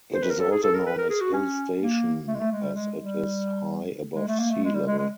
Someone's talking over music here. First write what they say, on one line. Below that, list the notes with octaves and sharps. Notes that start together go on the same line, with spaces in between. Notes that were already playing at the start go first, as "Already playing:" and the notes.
It is also known as hill station as it is high above sea level.
C5
B4
A#4
A4
G#4
A4
A#4
B4
A#4
G#4
F#4
C#4
A#3
A3
G#3
A3
G#3
G3
G#3
G3
G#3
A3
A#3
A3
G#3
G3
G#3
G#3